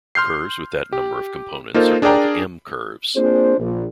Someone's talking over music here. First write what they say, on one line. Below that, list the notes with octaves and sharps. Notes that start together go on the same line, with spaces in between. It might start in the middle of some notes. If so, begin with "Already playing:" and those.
Curves with that number of components are called M-curves.
C6 F6 G6 C7
G4
A#3 D#4 F4 A4 A#4 C5
D4 G#4 A#4 D5 G5 A#5
A#3 C4 D4 F4 G#4 C5
A#1